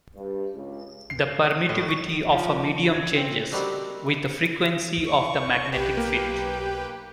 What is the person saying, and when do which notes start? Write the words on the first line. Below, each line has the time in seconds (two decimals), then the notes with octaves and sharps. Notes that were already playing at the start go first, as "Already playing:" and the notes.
The permittivity of a medium changes with the frequency of the magnetic field.
0.15 G2
0.54 C#2
1.10 C7
1.69 A2
1.88 C#6
2.32 F3
2.93 G#6
3.16 C4
3.52 D#3 G3 C4 D4 F#4 A4
5.07 C#6
5.72 B1 G4 B4 G5
5.97 A#3